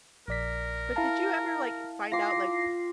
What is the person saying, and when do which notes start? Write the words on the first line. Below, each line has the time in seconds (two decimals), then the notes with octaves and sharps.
But did you ever, like, find out, like,
0.28 A#1 A#4 D5 B6
0.96 E4 F5 A5 A#5
2.12 F4 G5 D6 A#6 C7